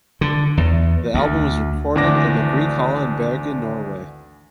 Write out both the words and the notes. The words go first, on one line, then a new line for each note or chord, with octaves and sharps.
The album was recorded in the Grieg Hall in Bergen, Norway.
D3
E2
D2
G#1 D2 E3 D4 D6 A#6